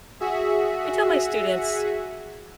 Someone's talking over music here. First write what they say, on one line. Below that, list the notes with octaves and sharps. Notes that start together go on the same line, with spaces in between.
I tell my students,
F#4 G#4 E5